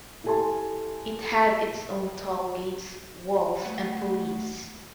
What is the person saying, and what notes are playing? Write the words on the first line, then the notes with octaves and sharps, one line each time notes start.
It had its own tollgates, walls and police.
E4 G4 A4 G#5 A5 C6
A3 F#5